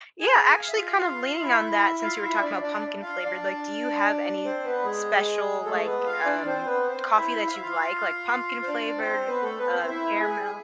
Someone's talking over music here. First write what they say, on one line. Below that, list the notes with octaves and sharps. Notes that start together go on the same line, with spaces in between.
Yeah, actually, kinda leaning on that since you were talking about pumpkin flavored, like, do you have any special, like, um, coffee that you'd like, like, pumpkin flavored, uh, caramel?
G#4 G#5
G#5
F5
E5
F4 F5
E4 E5
F4 F5
E4 E5
D4 D5
D4 D5
F4 F5
D4 D5
C4 C5
B3 B4
G#3 G#4
A3 A4
B3 B4
F4 F5
D4 D5
C4 C5
B3 B4
C4 C5
E4 E5
F5
E5
F4 F5
C5
D4 D5
C4 C5
B3 B4
A3 A4
B3 B4
C4 C5
E4 E5
G#4 G#5
G#5